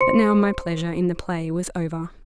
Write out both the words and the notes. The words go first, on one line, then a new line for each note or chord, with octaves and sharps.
But now, my pleasure in the play was over.
C5 C6 C#7